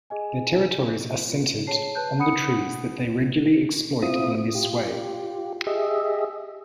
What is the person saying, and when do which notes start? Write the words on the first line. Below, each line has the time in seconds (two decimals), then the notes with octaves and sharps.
Their territories are centered on the trees that they regularly exploit in this way.
0.10 G#4 D#5 G#5
1.30 F4
1.67 G#4 C#5 A5 C7
1.95 B4 A5 F#6 G6
2.19 F#5 B5 D#6 C#7
4.02 C4 E4 F4 D#6
4.55 F4 G4
5.67 G4 G#4 D#5 E5